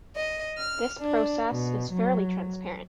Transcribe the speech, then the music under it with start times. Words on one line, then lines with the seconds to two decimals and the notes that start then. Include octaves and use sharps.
This process is fairly transparent.
0.15 D#5
0.56 F6
0.99 D4
1.50 B2
1.92 F#3